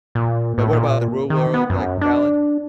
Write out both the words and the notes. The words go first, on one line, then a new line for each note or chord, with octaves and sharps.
But what about The Real World, like, Challenge?
A#2
A2
A#2
D#3
B3
F#2
D4